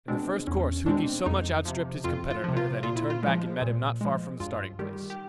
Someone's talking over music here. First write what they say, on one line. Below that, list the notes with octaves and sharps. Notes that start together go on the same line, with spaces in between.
In the first course Hugi so much out-stripped his competitor that he turned back and met him not far from the starting place.
B2 G#3 C4 D4
E2 C#4
B2 G#3 C4 D4
F2 D#4
C3 F3
F2 F4
F4
C3 F3
F4
A#2 F4
E4
F4
F3 G#3
A#2
F3 G#3
G2 F4
D#3 G3 G4
G4